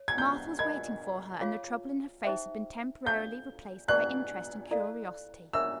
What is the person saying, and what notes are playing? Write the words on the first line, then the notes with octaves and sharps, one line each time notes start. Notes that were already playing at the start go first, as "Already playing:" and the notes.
Martha was waiting for her and the trouble in her face had been temporarily replaced by interest and curiosity.
Already playing: C#5
G#6
G6
A#4 D#5 G#5 B5 G#6
F4 G#4 C#5 F5
D#4 G4 C5 E5 G5
A4 C5 F5 G6
G4 B4 D5 F#5 F#6
E4 A4 D5 F5
D4 G4 A#4 C#5 E5 E6